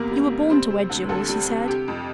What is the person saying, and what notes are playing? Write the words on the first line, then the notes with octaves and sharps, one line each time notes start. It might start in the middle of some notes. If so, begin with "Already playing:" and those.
"You were born to wear jewels," he said.
Already playing: E2 C3 A#3 A#4
G3
C3
G3 C4 C5
C3
D2
D2 A4
G3
C3
C3 G4
F2